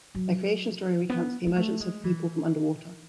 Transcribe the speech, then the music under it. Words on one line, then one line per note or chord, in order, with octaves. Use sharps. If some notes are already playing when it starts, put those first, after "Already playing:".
Their creation story recounts the emergence of the people from underwater.
F#3
B3
G#3
A3
G#3
E3